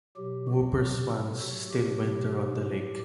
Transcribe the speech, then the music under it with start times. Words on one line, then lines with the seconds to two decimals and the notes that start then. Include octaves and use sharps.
Whooper swans still winter on the lake.
0.16 B2 F#3 G4
0.47 F#4
0.78 B2 F#3 G4
1.09 A4
1.40 C3 F#3 F#4
1.71 G4
2.01 B2 F#3 G4
2.63 A2 F#3